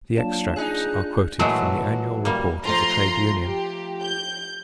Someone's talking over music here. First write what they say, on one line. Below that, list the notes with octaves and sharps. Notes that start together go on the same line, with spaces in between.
The extracts are quoted from the annual report of the trade union.
F#3 A#3 D4 F4 A5
D#4 G#4 F#6
A#2 E3 F#3 G#3 A3
G3 A#3
F3 A3 F4 A#5 C6
G4
G6